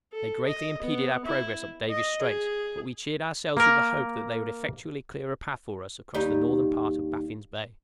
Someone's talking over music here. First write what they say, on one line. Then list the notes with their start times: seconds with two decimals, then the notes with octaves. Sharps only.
They greatly impeded our progress up Davis' Strait, but we cheered ourselves with the hope that they would effectually clear a path for us across the northern part of Baffin's Bay.
0.13 A4
0.47 D#5
0.82 B3
1.25 E4
1.90 D#5
2.22 G#4
3.57 A#3 A#4
6.14 D#2 G3 D#4